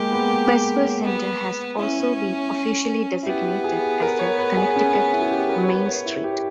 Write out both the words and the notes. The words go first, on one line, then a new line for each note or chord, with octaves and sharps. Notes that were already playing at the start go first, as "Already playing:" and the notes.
Westville Center has also been officially designated as a "Connecticut Main Street".
Already playing: G#3 A#3 G4
B3
B3
C#4 E4
E4
B3 G4
G#4
A#4
C#5
B4
G#4
C#4
C#4
E4
G#4
G4
A#4
C#5
B4
C#5
E4
G4